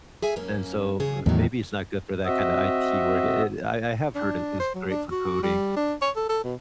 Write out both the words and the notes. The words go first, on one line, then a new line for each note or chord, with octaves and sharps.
and so maybe it's not good for that kind of IT work. It I I have heard it is great for coding,
G#4 E5 G#5
F#2 A#3 C#4
C#3 G#4
E2 A2 D#3 F#3
C4 F#4 D#5 E5
D4
C5
F#3
D4
F#4
G3
D4
C#5
A4
A4
B2